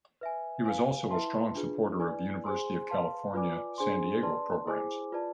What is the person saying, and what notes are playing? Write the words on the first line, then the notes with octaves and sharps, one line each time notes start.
He was also a strong supporter of University of California, San Diego programs.
B4 E5 G#5
B4 F5 G#5
E4 B4 E5 A5 C6
D4 F4 G#4 B4
E4 B4 D5 G#5
G#4 C5 G#5 C6
B4 F5 A5 C6
F4 B4 D5 G#5 D6
D4 G#4 C5 G#5 C6
B4 D5 A5 C6
E4 G#4 C5 G#5 D6
F4 B4 D5 A5